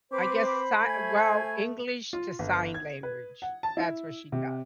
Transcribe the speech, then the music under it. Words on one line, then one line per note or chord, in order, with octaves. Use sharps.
I guess, si well, English to sign language, that's what she does.
C4 B4 C5 B5 D6
A3 G#5 G#6
F4
G1
G#6
B4
F#5
A5
E4
C3